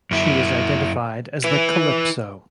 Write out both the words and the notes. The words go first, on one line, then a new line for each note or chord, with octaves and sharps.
She is identified as the "Calypso".
F#2 E4
E4 B4